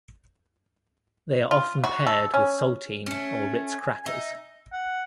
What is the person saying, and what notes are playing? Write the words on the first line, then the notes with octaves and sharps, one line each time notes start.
They are often paired with saltine or Ritz Crackers.
F4
F#4
A4
C#4
A3 C#4 G#5
D#4 E5
F#5